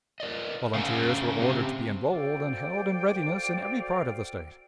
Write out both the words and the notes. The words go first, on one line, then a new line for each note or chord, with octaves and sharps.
Volunteers were ordered to be enrolled and held in readiness in every part of the State.
A#4 D5 D#5
C#3 A3 F5 F#5 A#5
C4 G4
F#4 A4 C5 D5 F5 G5